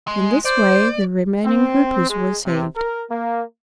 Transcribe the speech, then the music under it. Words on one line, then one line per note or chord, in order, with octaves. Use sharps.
In this way the remaining Hoopoes were saved.
G#3
C5 D5
C4
G#3
C3
A#4
A#3